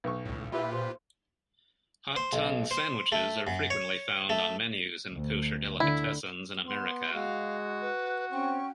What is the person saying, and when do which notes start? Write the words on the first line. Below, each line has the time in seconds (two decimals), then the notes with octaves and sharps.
Hot tongue sandwiches are frequently found on menus in kosher delicatessens in America.
0.04 B1 C#6
0.26 C#2 A2
0.52 A#2 E4 F4 G4 B4
0.73 C5
2.16 C5
2.33 B1
2.71 C5
3.12 A3
3.47 F#2
3.70 C#5
4.30 A3
5.12 D2
5.80 D3 E4
6.67 B3 C6
7.14 G#3 F#4 F5
7.82 B4
8.32 C4 C#4 G5 C#6